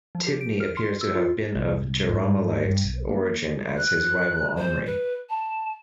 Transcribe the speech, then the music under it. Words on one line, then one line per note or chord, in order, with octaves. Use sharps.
Tibni appears to have been of Jerahmeelite origin as his rival Omri.
F3
G4
D7
F6
C6
E6
F4
C2
G#2
G2
B1
A#3
F#6
C5
B4
A5